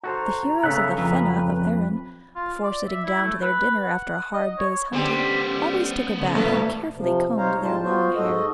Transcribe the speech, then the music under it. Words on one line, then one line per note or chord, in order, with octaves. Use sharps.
The heroes of the Fena of Erin, before sitting down to their dinner after a hard day's hunting, always took a bath and carefully combed their long hair.
F#4 A4 C5 A#5
C#3 A3 B3 E5 F#5
F2 B4
F4
D5
E5
E4
A3
B4
F#5
D#5
C#5
D3 G3 B3 G4 C5
C#3
A2 E3 A3 B4
C3 F3
C3 D#4 C5 C#5 F5 A#5
A2 G3 G#3 F4 A5
B3 F4 F#4 C5
G#2 F#4 A4 D#5